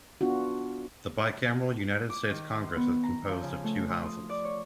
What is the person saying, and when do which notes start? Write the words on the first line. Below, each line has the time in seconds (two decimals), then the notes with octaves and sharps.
The bicameral United States Congress is composed of two houses.
0.21 B3 D4 F4 F#4
2.10 D6
2.30 D#3
2.53 C6
2.76 B3
3.03 A#5
3.29 F3
3.43 C#3
3.64 A3
3.90 C6
4.05 D#6
4.29 D5
4.45 C#5